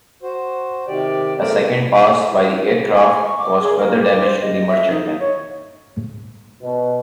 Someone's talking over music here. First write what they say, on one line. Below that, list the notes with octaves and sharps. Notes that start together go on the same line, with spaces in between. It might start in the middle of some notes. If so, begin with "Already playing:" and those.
A second pass by the aircraft caused further damage to the merchantman.
F#4 C5
C3 D#3 G4 D5
E2 A3 C4 A#4 D5
G#5
C#6
D6
G#4
A#4
D6
C5
D#5
E5
D#4
C#5
B2